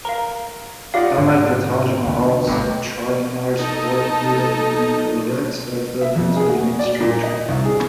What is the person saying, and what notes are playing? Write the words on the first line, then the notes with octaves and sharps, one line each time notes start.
Unlike the Taj Mahal's, Charminar's four fluted minarets are built into the main structure.
A#4 F5 A#5
D#4 F4 G4 D5 F5 F#5
G#2 D3 G#3 C#5
E2 D3 B3
G#1 G2 D3 F#3 A3 B3
D#4 A4
E5
F2
G#4
F#4
D5
A#2
D#5
C2
G#4